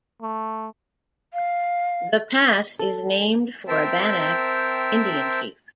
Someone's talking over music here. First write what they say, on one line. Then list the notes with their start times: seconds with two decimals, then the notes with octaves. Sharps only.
The pass is named for a Bannack Indian chief.
0.21 A3
1.33 F5
2.79 A4
3.68 C4 A#4 C5 E5 G5 A5